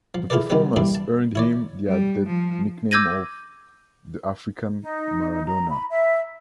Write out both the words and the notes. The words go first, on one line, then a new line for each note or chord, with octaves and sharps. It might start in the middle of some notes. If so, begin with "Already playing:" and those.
The performance earned him the added nickname of "The African Maradona".
F3
E4 F4 G#4 A4 B4 D5
C3 D#3 F#3 G3 B3 B4
G2 G3 A#3 D4 E4
A5
E4 C#5 D5
G3
F3
D6 E6 G6 G#6 A#6 D#7
D#4
A#5
B5
E5